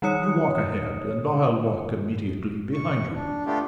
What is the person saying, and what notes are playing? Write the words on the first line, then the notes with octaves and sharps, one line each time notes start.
You walk ahead and I'll walk immediately behind you!
D#3 G3 D#4 C#5 D#6 C#7
C#6
D4
A3 B3 D4 F4 G4